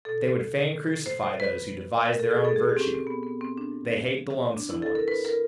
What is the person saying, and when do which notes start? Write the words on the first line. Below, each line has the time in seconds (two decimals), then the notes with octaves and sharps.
They would fain crucify those who devise their own virtue--they hate the lonesome ones.
0.05 B2 A4
1.06 C5
1.23 C5
1.40 B4
2.06 B2 A#4
2.20 A4
2.31 G#4
2.45 A4
2.56 G#4
2.69 G4
2.77 C4
2.81 C#4
2.95 C4
3.07 B3
3.23 B3
3.41 C4
3.58 D4
4.08 A#2 F3
4.57 D4
4.70 E4
4.82 A4
4.95 A#4
5.08 B4
5.25 A#4